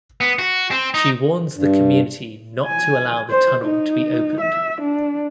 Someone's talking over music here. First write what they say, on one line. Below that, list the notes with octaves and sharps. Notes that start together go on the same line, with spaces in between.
She warns the community not to allow the tunnel to be opened.
B3
F#4
C4
D#4
G2
G#5
C5
D#4
E5
D4